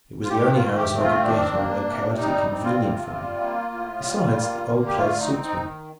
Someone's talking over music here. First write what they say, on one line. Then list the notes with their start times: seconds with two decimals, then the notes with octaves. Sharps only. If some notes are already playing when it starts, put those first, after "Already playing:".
It was the only house I could get in a locality convenient for me; besides, the old place suits me.
0.24 F4
0.29 D#3 G4
0.53 F4
0.61 A3
0.76 G4
0.91 C4
1.00 F4
1.22 D#3 D4
1.54 A#3
1.85 C3
2.16 G3 D#4
2.48 C4
2.63 F4
2.78 C3
3.10 G3
3.41 A#3
3.73 A2
4.03 G3
4.35 A#3
4.66 D3
4.86 G4
4.96 A3 F4
5.20 D#4
5.28 C4
5.44 D#4
5.59 D#3